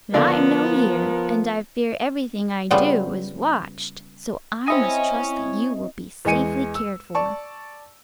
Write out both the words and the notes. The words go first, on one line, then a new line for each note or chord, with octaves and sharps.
"But I am known here, and I fear everything I do is watched. So I must trust that you will be safely cared for."
D3 F3 B3 A#4 D5 F5
C#3 G3 B3 F4 C5 G5
C4 E4 C#5 D#5 G#5
E2 G#3 D#5 G#5 C#7 D#7
E6
D5 A5 C#6